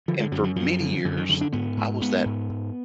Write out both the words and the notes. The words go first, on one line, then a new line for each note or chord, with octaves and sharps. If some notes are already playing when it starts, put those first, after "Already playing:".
and for many years, d I was that
D3 F3
G#3
F#2 F#3
F#3
F#2 F3
D3
F#2 D3
D#3
D3 D#3
D4
G#2 B3
G#2
G#2 B3
G#2
G#2